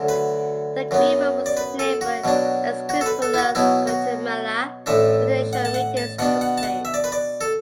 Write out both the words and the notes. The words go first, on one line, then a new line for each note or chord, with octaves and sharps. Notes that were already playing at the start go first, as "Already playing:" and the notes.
The agreement was named for Esquipulas, Guatemala, where the initial meetings took place.
Already playing: D2 D3 F#3
B4
F#2 F#3 B3
D5
B4
A4
F#4
B2 F#3 D4
F#4
A4
B4
A4
E4
F#4
B2 F#3 B3 E4
F#4
A1 A2 A3 D4 E5
F#5
A5
F#5
A5
B2 B3 D4 F#5
F#5
A5
F#5
E5
D5
B4
D5
A4